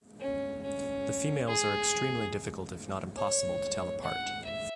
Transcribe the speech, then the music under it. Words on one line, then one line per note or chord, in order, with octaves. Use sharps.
The females are extremely difficult if not impossible to tell apart.
C#4
C#4
G#4
C#5
F#5
E5